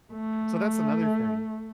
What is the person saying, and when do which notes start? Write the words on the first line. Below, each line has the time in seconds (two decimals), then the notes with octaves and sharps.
so that's another thing.
0.14 A3